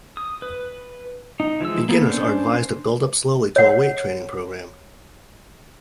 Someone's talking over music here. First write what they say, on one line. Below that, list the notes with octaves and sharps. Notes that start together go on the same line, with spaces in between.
Beginners are advised to build up slowly to a weight training program.
D#6
B4
D#4
E3 F3 G#3 E6
A#3 B3 A4
C#4 D4 C5
C#5 F#5